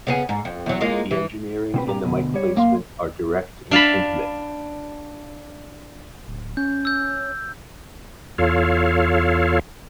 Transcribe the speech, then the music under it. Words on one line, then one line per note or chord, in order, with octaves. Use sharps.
The engineering and the mike placement are direct and intimate.
C#3 B3 G#4
G#2
F2
E2 F#3
G#3 A#3 F4
E3
B2 C4 B4
A#2 C4 G4 A#5
D2 G2 B2
G3 C#5
F#2 A#3 F5 C6
D4 F5 A5 B5
D1
C#4 G6
E6 G6
E2 F4 A4 C#5 F5